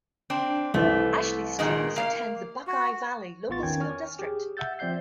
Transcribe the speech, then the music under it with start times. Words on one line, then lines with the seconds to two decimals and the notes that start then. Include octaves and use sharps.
Ashley students attend the Buckeye Valley Local School District.
0.30 C4 D4
0.74 C2 E3 A3 E5
1.59 A#2 D#3 G#3
1.96 A#3 F5
2.67 F#4
3.49 A1 B3 F4 C#6 A6
3.63 E2 D#3 C#4 G5 G#6
3.80 C#5 G#5 C#6 F6
4.19 G4 G#4
4.57 E5 F#5 E6 G6 A6
4.79 F3 C4 D5 E5 G6 C7